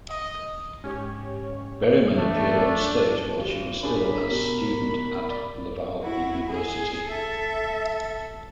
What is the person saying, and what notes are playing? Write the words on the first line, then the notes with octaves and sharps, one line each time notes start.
Berryman appeared on stage while she was still as student at Laval University.
D#5
G#2 C#4 G4 C#5
E2 A3 D4
G#1 G4
C#4 D4 G#4 A#4 B5
B2 G4
D5
E4 F#4
G#4
A4 E5